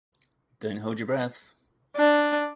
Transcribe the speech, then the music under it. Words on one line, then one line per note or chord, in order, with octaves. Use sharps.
Don't hold your breath.
D4